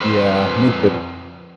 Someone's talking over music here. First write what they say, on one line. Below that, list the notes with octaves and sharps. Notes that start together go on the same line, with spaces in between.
Yeah, me too.
F2 B4 C5